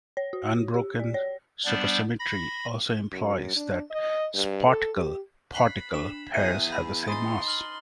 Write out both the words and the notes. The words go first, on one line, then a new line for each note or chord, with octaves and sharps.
Unbroken supersymmetry also implies that sparticle-particle pairs have the same mass.
C#5
F#4
G4
D5
C#5
G3 B3 D4 C5 D5
B5 A#6
F#2
D4
D#5
G2
A4
G4
B5 F#6 B6 C7
D4 E7
E2 G#4 E5 G5 D#6 D#7
B5
D#4 G#5 B5 C6 D#6 A6
F6 F#7 G7